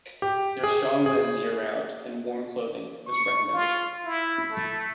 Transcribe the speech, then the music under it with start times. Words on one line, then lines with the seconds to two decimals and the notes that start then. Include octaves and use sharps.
There are strong winds year-round and warm clothing is recommended.
0.22 G4
0.63 G#4
1.06 G#4
3.07 C#6
3.53 F4
4.04 E4
4.50 A3